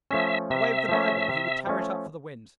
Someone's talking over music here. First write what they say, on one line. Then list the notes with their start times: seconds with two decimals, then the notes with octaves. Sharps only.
Away with the Bible: he would tear it up for the winds!
0.11 F3 A3 C#4 E5
0.50 C3 E5
0.89 F3 A3 C#4
1.29 C3
1.67 F3 A3 C#4